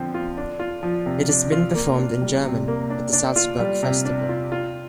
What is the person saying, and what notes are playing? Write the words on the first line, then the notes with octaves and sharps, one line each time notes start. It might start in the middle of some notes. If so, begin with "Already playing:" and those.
It has been performed in German at the Salzburg Festival.
Already playing: D3 F3 C4
F4
D4
F4
F3
C3
D4
F4
A#3
D4
G3
C3
A#3
D4
D4
F4
G3
C3
D4
F4
F4